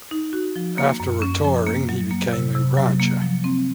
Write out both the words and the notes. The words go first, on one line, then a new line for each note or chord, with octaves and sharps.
After retiring, he became a rancher.
D#4
F#4
F3
A#3
F#2
C#4
F3
A#3
F#3
A#3
C3
C3
F#3
A#3
F3
C4